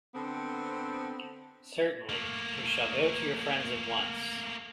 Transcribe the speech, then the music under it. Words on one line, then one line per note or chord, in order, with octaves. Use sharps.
Certainly; you shall go to your friends at once.
D3 B3 C4
A3 A#3